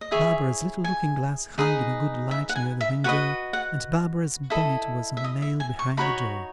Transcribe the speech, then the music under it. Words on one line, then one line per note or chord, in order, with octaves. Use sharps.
Barbara's little looking-glass hung in a good light near the window, and Barbara's bonnet was on a nail behind the door.
D#5
E4 G#4 C#5 E5
G#5
D#4 G#4 B4 D#5
E5
F#5
G#5
E5
F#4 B4 D#5 F#5
F#5
E4 A4 D#5
E5
D#5
E5
G#5
C#6
D#4 F#4 C#5 B5